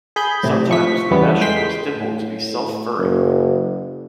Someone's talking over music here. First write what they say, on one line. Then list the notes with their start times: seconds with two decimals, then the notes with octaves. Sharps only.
Sometimes, the mesh was dimpled to be self-furring.
0.16 G#4 B5 G6
0.43 A2 C3
0.69 F3 C#6 B6
1.11 E2 C#3 E3 G3 B3
1.26 A3
1.41 G#3 G5 C6 B6
1.95 A2
2.98 F#1